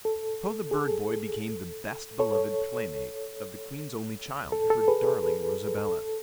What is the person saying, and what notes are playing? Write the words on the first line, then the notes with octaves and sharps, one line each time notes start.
So the bird-boy became the best beloved playmate of the Queen's only child, her darling Rosabella.
A4
G#4
A4
A4 C#5
A4
A4
G#4 B4
A4